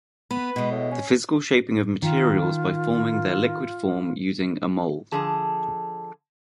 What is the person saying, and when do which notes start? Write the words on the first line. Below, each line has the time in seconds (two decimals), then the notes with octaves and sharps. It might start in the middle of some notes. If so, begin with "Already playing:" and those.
The physical shaping of materials by forming their liquid form using a mould.
0.31 B3 B4
0.56 B2 G#3
0.71 A2
0.92 C#4
2.02 D#3 F4
5.12 D3 F3 G#4 A5